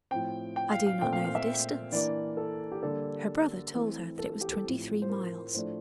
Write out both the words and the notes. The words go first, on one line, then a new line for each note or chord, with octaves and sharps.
"I do not know the distance." Her brother told her that it was twenty-three miles.
A2 F3 C4 G5
G5
F5
F5
A#2 A3 C4 G5
F5
F5
E5
E3 A#3 D4 D5
A4
G4
D3 G3 A#3 A4
E3 A3 C4
A4
A4
G4
A4
A2 F3 C4
C5
A#4
A2 F3 A3 D4 C5